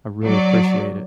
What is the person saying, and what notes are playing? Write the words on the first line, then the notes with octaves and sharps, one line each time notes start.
I really appreciate it.
F#3 D5